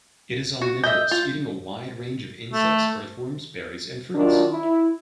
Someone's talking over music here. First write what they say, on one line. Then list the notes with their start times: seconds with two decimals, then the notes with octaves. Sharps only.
It is omnivorous, eating a wide range of insects, earthworms, berries, and fruits.
0.61 F#4
0.84 D#5 E5 G6
1.11 F4
2.53 A3
4.15 D#3 F#3 D4 D#4 F4
4.50 E4